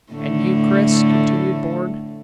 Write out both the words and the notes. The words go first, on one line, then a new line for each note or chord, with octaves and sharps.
"And you, Chris?" continued Bourne.
A2 D3 A3